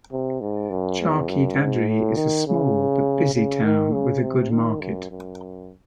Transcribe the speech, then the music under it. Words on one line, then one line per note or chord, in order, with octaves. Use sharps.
Charkhi Dadri is a small but busy town with a good market.
C3
G#2
F#2
E2
F#2
G#2
A2
D#3
C#3
C#3
D#3
C#3
C3
D#3
F#2
F#2